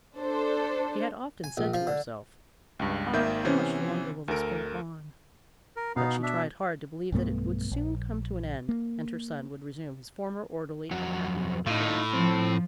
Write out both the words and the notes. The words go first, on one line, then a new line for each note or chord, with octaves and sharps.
She had often said to herself, "Ah! how much longer will this go on?" but she tried hard to believe that it would soon come to an end, and her son would resume his former orderly and happy mode of life.
D4 A4 C5
G#5
A#1
F3
D3
C#2 G2
G#1 D#3 A#3 E5 G6
C3 E3 B3 C#4 C5
D2 A4 A#4 D7
A#4
B2 B3 D#4 F5
D4 E5
B1 G2 A3 B3
A#1
A#3
F2 F#3 F#4
A2 D#4 F4
F3 C4